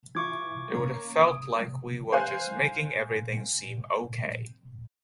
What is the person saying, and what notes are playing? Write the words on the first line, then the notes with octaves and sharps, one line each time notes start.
It would have felt like we were just making everything seem okay.
E3 F4 E5 C#6 D6 G#6
A#3 C#4 A#5
D#6 D7
C5 F5 G#5 F#6